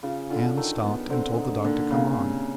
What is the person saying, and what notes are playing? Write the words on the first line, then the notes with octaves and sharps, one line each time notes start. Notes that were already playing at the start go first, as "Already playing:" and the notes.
Am stopped and told the dog to come on.
C#3 F4
D3 F4
D#3 A4
B3
D3 C4
D#4
A#2 D3
A#2 C#3
C3